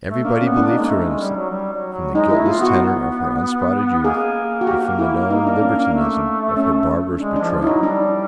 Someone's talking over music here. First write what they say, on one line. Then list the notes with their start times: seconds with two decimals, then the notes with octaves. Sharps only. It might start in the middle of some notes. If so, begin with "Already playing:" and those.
Every body believed her innocent, from the guiltless tenor of her unspotted youth, and from the known libertinism of her barbarous betrayer.
0.09 A3
0.24 A#3 D4
0.41 C#4
0.46 B3
0.57 D4
0.67 A#3 D#4
0.79 G#3
0.88 A3
1.04 G#3
1.20 G3
1.36 F#3
1.51 G3
1.73 F#3
1.93 F#3
2.14 G#3 D#4
2.30 E4
2.35 A3
2.46 F4
2.57 B3 F#4
4.04 A#3 G#4
4.61 F#4
4.67 G4
4.99 E4
5.30 D#4
5.47 D4
5.61 C#4
5.78 D4
5.94 A3
6.57 C#4
7.20 G#3 D4
7.36 D4
7.41 F3
7.62 F#3 D#4 E4
7.83 G3 D4